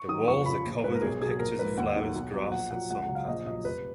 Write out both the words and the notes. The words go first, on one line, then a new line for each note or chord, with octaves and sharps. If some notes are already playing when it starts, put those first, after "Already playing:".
The walls are covered with pictures of flowers, gras and sunpatterns.
Already playing: C#6
D#3 F#3 D#6
F2 C#6
C#3 F3 B5
A#1
G#2 F3 B4
A#4
B1 G#4
B2 F#3 G#4
G#4
A#1 A#4
G#2 F3 B4
D#2 F#5
D#3 F#3
B1
B2 F#3
A#1 F#5
A#2 F#3 F#5
C#2 F#5
F#5
C#3 F#3
F5
A#1 D#5
A#2 F#3 D#5
F1 B4